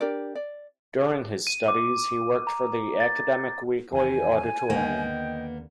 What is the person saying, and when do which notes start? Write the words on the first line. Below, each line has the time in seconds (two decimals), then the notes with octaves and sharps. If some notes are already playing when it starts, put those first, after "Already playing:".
During his studies he worked for the academic weekly "Auditorium".
0.01 D4 G4 A#4 D5
0.35 D5
1.47 D#7
1.68 D6
2.47 A#5
3.00 A6
3.92 E2 D#3 G#5
4.70 D#2 D3 A#3 B3 D#5 G5